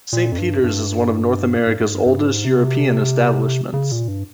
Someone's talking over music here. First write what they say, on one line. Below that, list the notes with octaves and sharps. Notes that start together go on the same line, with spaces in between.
Saint Peter's is one of North America's oldest European establishments.
A#2
F2
G2
G2
G#2
G#2
G2
G2
G#2
C3
C#3
A#2
G2